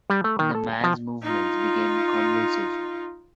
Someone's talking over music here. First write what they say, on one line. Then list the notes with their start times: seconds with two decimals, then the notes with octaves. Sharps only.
The man’s movements became convulsive.
0.10 G3
0.24 A3
0.39 D#3
0.55 A4
0.72 G#5
0.84 F3
1.23 D#4 F4